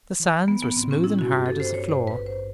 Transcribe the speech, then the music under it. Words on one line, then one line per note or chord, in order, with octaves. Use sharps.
The sands were smooth and hard as a floor.
E3
E3 B3
B3
A2 C4
C#4
G3 E4
F#4
G2 G4
A4
G2 C5
C#5
G2 C5
B4
G#1
C5